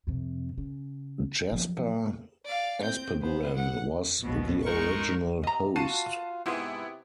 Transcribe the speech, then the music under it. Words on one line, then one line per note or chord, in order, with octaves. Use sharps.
Jesper Aspegren was the original host.
F2 C3
C#3
F3 F#3
D5 F5
C4 G6
B3 C5
F#5
A#1 D#2 B2
G#3 D#4 A#4 C#6
C3 D#5 A#5
F4 F#4 A5 C7 D#7
G#2 C3 G#3 B3 E4